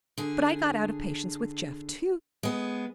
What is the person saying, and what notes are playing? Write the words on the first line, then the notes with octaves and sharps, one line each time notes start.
But I got out of patience with Jeff, too.
D3 G#4
G#3 B3